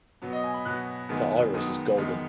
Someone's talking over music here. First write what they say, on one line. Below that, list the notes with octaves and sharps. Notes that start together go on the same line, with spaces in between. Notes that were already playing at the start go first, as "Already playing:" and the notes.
The iris is golden.
B2 F#3 B3
D#5
G#5
B5
B2 F#3 B3 F#6
F#2 D#3 G#3 B3
F#2 D#3 G#3 B3 D#6
F#2 D#3 G#3 B3